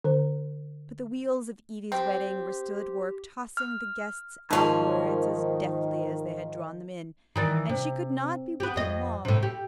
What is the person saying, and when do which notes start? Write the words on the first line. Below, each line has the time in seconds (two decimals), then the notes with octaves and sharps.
But the wheels of Evie's wedding were still at work, tossing the guests outwards as deftly as they had drawn them in, and she could not be with him long.
0.04 D3 C5
1.92 C4 G4
3.57 F6
4.51 G#2 D#3 F3 C#4 D#4 A5 C#6
7.36 D#3 E3 D5
7.69 C3
8.60 B3 G4
8.76 F2 D#5
9.25 A2 C3
9.43 G4